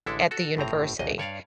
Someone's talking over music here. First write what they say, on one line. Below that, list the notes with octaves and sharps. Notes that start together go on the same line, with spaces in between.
at the university,
A1 D3 G#3 E4 A4
F#4 A4
G1 A2 C4 A#5
A#1 D#2 D#5
G2 C#5 D5 F5